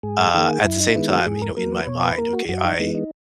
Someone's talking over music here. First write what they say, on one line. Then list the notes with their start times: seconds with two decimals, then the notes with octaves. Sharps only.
Uh, at the same time, you know, in my mind, okay, I
0.03 G#2 G#4
0.34 D#3 A#3 G#4
0.64 F#2 E4
0.80 D#4
0.95 D#3 G#3 B3 E4
1.10 F#4
1.26 G#2 G#4
1.42 A#4
1.57 F#3 A#3 A#4
1.72 B4
1.87 B2 C#5
2.03 B4
2.18 A#3 A#4
2.33 F#4
2.49 F#2 F#4
2.64 D#4
2.79 E3 G#3 B3 D#4
2.95 D#4